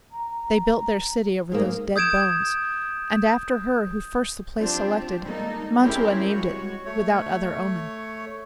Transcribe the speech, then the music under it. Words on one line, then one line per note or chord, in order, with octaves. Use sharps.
They built their city over those dead bones, And, after her who first the place selected, Mantua named it, without other omen.
A#5
G#2 A#3 G#4
D#6 G6 G#6 D7 E7
F#3 C4 D4 F4 G4 C5
G3 G#3 A#3 D#4 A4
C4 C#4 E4 G4 G#4 A#4
G3 G#3 F#4 C#5
A3 C#5